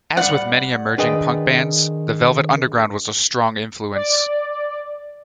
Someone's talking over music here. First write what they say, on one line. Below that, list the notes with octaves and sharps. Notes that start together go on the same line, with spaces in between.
As with many emerging punk bands, the Velvet Underground was a strong influence.
G3 D5 F#5
D#3 D4 G#4 B4 D5 D#5 G5
D5